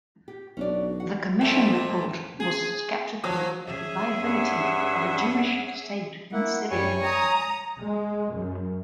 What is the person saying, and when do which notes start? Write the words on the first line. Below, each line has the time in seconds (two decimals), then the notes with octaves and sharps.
The Commission Report was skeptical of the viability of a Jewish state in "Syria".
0.28 G4
0.57 B1 C#4 D4 F#4 D5
1.00 F#5
1.41 F2 A#2 A3
2.40 G#4
3.24 F3 F#3
3.67 C#4 G#4 E5
4.22 G2 F#5
6.32 A#3 E4 F#5
6.71 F#2 G3 C#5 G#5 C#6
7.03 A#5 D#6
7.82 G#3
8.33 F#2